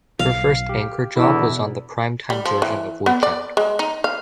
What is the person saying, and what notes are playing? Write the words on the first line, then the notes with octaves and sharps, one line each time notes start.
Her first anchor job was on the prime-time version of "Weekend".
B1 F5
G4
E2 B2 D3 E4
G3
F3
E3
B3
D5
G#3
D#4
F5